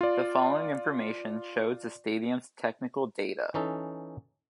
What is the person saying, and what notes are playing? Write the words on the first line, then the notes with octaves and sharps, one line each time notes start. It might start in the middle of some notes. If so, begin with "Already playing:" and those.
The following information shows the stadium's technical data.
F4 D5
E3 C#4 D#4 A4